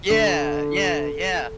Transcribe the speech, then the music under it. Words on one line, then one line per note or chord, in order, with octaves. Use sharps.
Yeah. Yeah, yeah.
D3